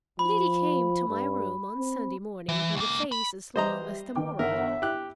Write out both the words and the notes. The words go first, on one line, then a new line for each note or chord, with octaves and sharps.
Liddy came to my room on Sunday morning with a face as long as the moral law.
F3 B5
G2
C4
E3
C#2 A#3
B5
G#2 B2 E3 G3 C5 D#5 E5 A#5
B2 D#3 A#3 G5 D6
G1 A#4 E5 F#5
E4 G4 F#6